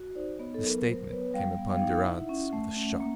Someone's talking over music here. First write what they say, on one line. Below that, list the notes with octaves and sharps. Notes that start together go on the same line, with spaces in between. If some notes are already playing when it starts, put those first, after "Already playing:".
The statement came upon Durrance with a shock.
Already playing: F#4
D#4 C5 D5
B3 C#5 D#5
A4
F#3 A#4
B4
F#3 A#4 C5
B3 B4 C#5
G3 F5 G5
B3
F5 G5
D#4
F5
E4 E5 F#5
C#4
A3
C#4
A#3